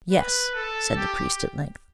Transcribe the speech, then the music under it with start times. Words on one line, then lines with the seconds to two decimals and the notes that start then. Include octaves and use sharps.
"Yes," said the priest at length.
0.12 B4
0.54 A4
0.96 G4